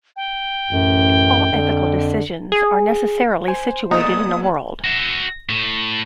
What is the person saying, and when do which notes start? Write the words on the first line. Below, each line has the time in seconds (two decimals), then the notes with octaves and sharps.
All ethical decisions are necessarily situated in a world.
0.16 G5
0.70 A1 F#2
1.52 F2 D3
2.52 G#4
3.48 C5 G#5
3.91 E2 A#2 A#3 B3 D#4 A4 D#6
4.84 F#4 E5
5.49 A2